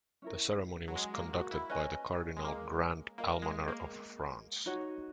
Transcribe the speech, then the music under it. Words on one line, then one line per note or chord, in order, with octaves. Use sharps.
The ceremony was conducted by the Cardinal Grand Almoner of France.
C#4 E4 A#4
F#3
G#3
A#3
F#4
E4
C#4 B4 D#5 G#5
G#3
A#3
A#3 A#4 D#5 A#5
G#3
A#3
D#4 F#4 C#5